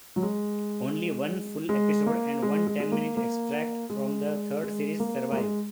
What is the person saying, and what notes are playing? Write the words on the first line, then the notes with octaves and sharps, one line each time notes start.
Only one full episode and one ten-minute extract from the third series survive.
F#3
G#3
G#3
A#3
G#3
G#3
G#3
A#3
A#3
G#3
G#3
A#3
A#3
G#3